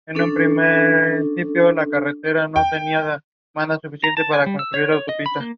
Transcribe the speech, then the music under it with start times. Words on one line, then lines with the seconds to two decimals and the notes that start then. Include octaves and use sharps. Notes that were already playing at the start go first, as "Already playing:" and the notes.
She appeared in nearly thirty films.
0.15 C#4 D4 A4
2.56 G5
4.04 A#5
4.17 A5
4.33 G#5
4.46 G3
4.59 E6
4.74 C#5
4.92 C#5
5.09 D#5
5.26 B5
5.40 A#3